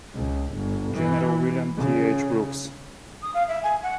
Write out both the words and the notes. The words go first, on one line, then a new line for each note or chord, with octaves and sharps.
General William T. H. Brooks.
C#2
G1
E3
C#3
D#6
F5
E5
G#5
F#5